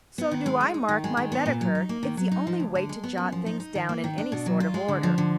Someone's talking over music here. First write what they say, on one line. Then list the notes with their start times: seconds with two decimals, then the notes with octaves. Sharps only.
So do I mark my Baedeker; it's the only way to jot things down in any sort of order.
0.18 B3
0.31 D#3
0.46 G#3
0.61 D#4
0.74 D#4
0.89 D#3
1.04 G#3
1.17 D#3
1.32 B3
1.46 A#2
1.61 F#3
1.75 D#4
1.89 A#3
2.03 D#3
2.17 F#3
2.31 D#4
2.47 F3
2.60 D2
2.75 D3
2.89 G#3
3.03 B3
3.18 F#2
3.32 F3
3.46 D#4
3.60 D#4
3.75 D#3
3.89 A#3
4.04 D#3
4.18 D4
4.32 B2
4.46 F#3
4.60 F4
4.74 G#3
4.88 D3
5.03 F3
5.18 D3